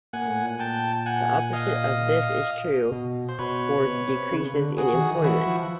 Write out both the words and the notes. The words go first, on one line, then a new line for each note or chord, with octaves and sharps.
The opposite of this is true for decreases in employment.
A#2 F#5 G#5
A2
A#2
G5 A5
F#5 G#5
D#5 F5
B2
C5
B2 B4 C#5
C3
B2
C3
C#3
D3
F#4 G#4
E3
D#3
E3 E4 F#4
F3